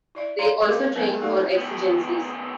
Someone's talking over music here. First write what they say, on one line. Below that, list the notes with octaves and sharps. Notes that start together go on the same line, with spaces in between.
They also train for exigencies.
E4 D5 E5
C#5 D5 F5 A#5 C6
A#3 G4 A#4 C5 F5 D6
F#3 A#3 B3 A#4 B4 D#5
A3 D#4 G4 A4 D5 F#5
D#2 B3